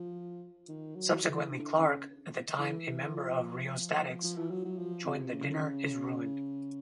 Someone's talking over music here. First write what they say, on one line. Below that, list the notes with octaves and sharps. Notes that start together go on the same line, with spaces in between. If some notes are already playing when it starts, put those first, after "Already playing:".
Subsequently Clark, at the time a member of Rheostatics, joined The Dinner is Ruined.
Already playing: F3
D#3
F#3
E3
D3
C#3
E3
F3
F3
E3
F#3
F#3
F3
C3
C#3